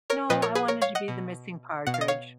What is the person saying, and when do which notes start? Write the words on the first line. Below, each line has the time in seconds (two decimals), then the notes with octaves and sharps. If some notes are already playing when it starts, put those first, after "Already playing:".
No, I wanted to be the missing Partridge.
0.10 A#4 C#5
0.29 A#2 F3 B4 D#5
0.42 A#4 C#5
0.55 G#4 B4
0.68 A#4 C#5
0.81 C#5 F5
0.95 D#5 F#5
1.08 B2
1.87 B2 F#5
1.94 F5
2.01 D#5
2.08 C#5 F5